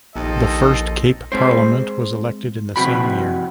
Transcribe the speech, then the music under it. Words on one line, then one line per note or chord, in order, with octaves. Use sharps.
The first Cape Parliament was elected in the same year.
A#1 D#2 A4 C5 D#5
G#3 C4 C5
F2 C3 F#4 B5